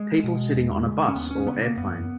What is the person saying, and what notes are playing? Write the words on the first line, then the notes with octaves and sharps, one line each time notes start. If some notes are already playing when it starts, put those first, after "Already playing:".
People sitting on a bus or airplane.
Already playing: G#3
B2
E2
C#3
C#4
D#2 B3
C#4
C#3 B3
A#3
F#2 B3